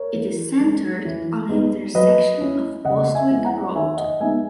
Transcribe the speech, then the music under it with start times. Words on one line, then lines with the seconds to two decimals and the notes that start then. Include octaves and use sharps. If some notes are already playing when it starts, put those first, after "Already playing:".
It is centered on the intersection of Bostwick Rd.
Already playing: A#4 C#5
0.14 E3
0.60 G#3 C#4
1.05 E3
1.49 G#3 B3 D#4
1.94 F#3 B4 D#5
2.40 C#4 E4
2.85 C#3 D#5 F#5
3.15 E5 G#5
3.31 G#3 B3 E4
3.45 F#5 A#5
3.75 D#3 E5 G#5
3.97 D#5 F#5
4.20 G#3 B3 D#4 E5 G#5